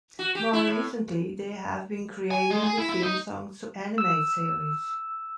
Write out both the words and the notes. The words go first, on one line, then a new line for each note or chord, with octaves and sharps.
More recently, they have been creating the theme songs to anime series.
F#4
G4
E4
A2
G#5
G#3
G#4
E4
E4
D#4
E6